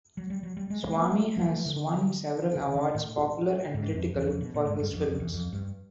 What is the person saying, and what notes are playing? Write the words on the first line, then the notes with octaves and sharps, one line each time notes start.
Swamy has won several awards, popular and critical, for his films.
F#3
G3
F#3
G3
G#3
G#3
A#3
A#3
A3
F3
D3
D#3
D#3
A2
G#2
F2
E2
F2
B2
A#2
G#2
G2
F2
F2
E2
F2
G2